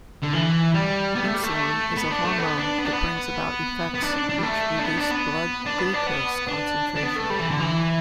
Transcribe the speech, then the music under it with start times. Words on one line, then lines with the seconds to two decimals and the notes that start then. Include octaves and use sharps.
Insulin is a hormone that brings about effects which reduce blood glucose concentration.
0.22 D3
0.33 E3
0.74 G3
1.15 B3
1.25 A3
1.34 G3
1.43 A3
1.97 B3
2.11 D4
2.25 A3
2.38 B3
2.58 D4
2.79 B3
2.86 D4
2.93 B3
3.94 B3
4.02 D4
4.16 D4
4.29 D4
4.38 G3
4.43 A3
4.79 D4
4.84 B3
4.98 D4
5.11 B3
5.66 D4
5.79 B3
5.93 D4
6.07 B3
6.48 D4
6.96 D4
7.03 B3
7.16 A3
7.30 G3
7.39 E3
7.50 D3
7.60 E3